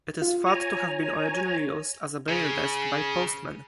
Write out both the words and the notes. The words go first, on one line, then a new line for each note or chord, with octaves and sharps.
It is thought to have been originally used as a mail desk by postmen.
F4
C#5 G#5 A#5
C#3